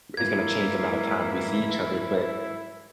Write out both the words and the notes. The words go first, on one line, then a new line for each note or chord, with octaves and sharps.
is gonna change the amount of time we see each other, but,
G#2 E3 A#3 E4 G#6